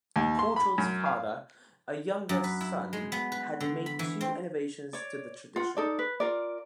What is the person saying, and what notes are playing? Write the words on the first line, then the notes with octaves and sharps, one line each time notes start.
Courtauld's father, a younger son, had made two innovations to the tradition.
D#2
C6
B5
F#2
F5
F#2
B4
E4
G#3
B3
B4
D3
B5
E3
C4
C#5 D5
F4 F#5
D#4 A4 D5
B4
F4 A#4 D5